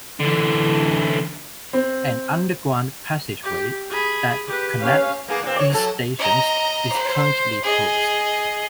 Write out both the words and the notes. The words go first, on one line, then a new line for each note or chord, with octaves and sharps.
An underground passageway that connects these stations is currently closed.
D3 E3
C4
G4
G#4 B5
G4 B4
C#4 F5
A#3 B3 G#4
A#2 C4
C#5 D5
F#2 F#3 A4
D#5 A#5
C5
G#4 D#5